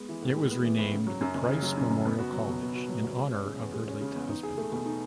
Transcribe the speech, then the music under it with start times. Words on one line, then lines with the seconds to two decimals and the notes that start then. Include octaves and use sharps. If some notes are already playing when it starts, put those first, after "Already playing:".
It was renamed the Price Memorial College in honor of her late husband.
Already playing: G#3 B3
0.09 E3
0.22 A2
0.36 G#3
0.51 B3
0.65 E3
0.78 A2
0.93 C#3
1.07 F#3
1.21 F#2
1.35 F#1
1.49 C#3
1.62 F#3
1.77 F#2
1.90 F#1
2.05 B3
2.19 F#4
2.33 F#3
2.47 B2
2.62 B3
2.75 F#4
2.89 F#3
3.03 B2
3.17 G#3
3.31 C#4
3.45 C#3
3.60 E2
3.74 G#3
3.88 C#4
4.01 C#3
4.15 E2
4.29 D#4
4.43 G#4
4.57 A3
4.72 B2
4.86 D#4